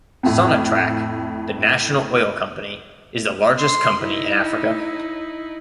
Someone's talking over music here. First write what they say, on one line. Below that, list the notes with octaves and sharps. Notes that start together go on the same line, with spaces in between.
Sonatrach, the national oil company, is the largest company in Africa.
F2 A2
C6
D#4 E4